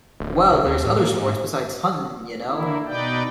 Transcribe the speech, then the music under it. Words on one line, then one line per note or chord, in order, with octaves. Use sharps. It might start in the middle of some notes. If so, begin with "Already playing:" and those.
Well, there's other sports besides huntin', ya know!
D1
C2
D#2
A2
A#3
G#2
D3 A#3 E4
B2 D#4 B4 D5 G5